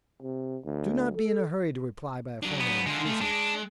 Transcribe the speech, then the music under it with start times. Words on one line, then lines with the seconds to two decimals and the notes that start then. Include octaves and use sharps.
Do not be in a hurry to reply by a formal refusal.
0.22 C3
0.65 D2
1.16 A4
2.43 F#3 D4
2.60 B3
2.86 D3 G#3 F4
3.06 A3
3.21 G#3 D4